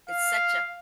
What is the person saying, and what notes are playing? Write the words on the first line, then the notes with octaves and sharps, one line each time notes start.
It's such a
F5